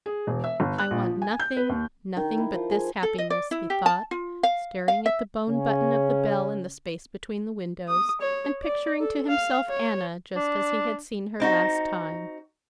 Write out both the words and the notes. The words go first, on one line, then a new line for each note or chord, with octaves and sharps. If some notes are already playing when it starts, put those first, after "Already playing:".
"I want nothing, nothing but this happiness," he thought, staring at the bone button of the bell in the space between the windows, and picturing to himself Anna just as he had seen her last time.
G#4
E1
E5
G1
F#6
A#1
F3
G#5
G6
B4
D#2
D#3
E4
F3
G#4
A4
D#5
D5
E4
G4
A5
F4
F5
F5
E5
C#3 C#4
D#6
C#5
D5
A4
F5
C#5
D4
C4 D#4 F#4